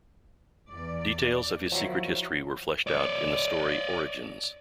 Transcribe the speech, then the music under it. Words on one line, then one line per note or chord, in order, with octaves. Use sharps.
Details of his secret history were fleshed out in the story "Origins".
E2 E3 D5
D#3 F3 F#3 E4
C#5 D5